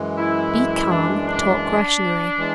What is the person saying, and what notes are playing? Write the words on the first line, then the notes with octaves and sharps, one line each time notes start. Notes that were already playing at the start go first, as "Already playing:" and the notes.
Be calm; talk rationally.
Already playing: F#2 E3 G#3
E4
D4
D4
E3 G#3